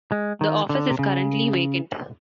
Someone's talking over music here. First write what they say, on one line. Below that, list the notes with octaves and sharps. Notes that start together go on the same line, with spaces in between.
The office is currently vacant.
G#3
D#3
D3
C3
C#3